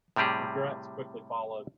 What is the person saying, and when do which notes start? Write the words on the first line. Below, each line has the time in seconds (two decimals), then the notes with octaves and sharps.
Regrets quickly followed.
0.16 A2 C3 G3 G4 G#4